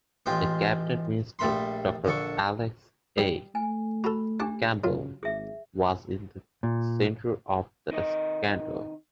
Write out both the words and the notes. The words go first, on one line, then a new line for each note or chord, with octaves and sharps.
A cabinet minister Doctor Alex A. Campbell was in the centre of the scandal.
A1 G#3 F4 G4
A#1 G3 A3 B5 C6
A#1 D3 A4 C#6
G3
A3 G#5
F#4 A4 B5
D4 G4 F#5 A5 D6
C#3 F#3 F4
G#1 G#4 E5
A#2
C3 D#3 D#4 D#5